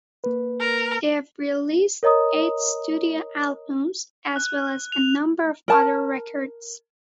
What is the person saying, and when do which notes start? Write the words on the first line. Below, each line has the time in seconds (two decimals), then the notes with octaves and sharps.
They have released eight studio albums, as well as a number of other records.
0.24 A#3 B4
0.60 A#4
2.03 A#4 C#5 D#5 A#5 D#6
4.36 F#6
4.92 F7
5.68 A#4 A5